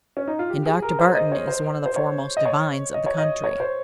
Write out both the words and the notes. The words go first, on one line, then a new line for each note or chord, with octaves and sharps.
And Dr. Barton is one of the foremost divines of the country.
C#4
D#4
F4
G4
G#4
A#4
C5
D#5
C#5
C5
C5
C#5
D#5
C#5
D#5
C#5
D#5
C#5
C5